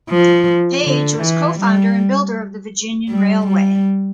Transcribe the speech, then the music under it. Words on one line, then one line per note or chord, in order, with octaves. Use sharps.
Page was co-founder and builder of the Virginian Railway.
F3
D3
E3
G3
G3
G3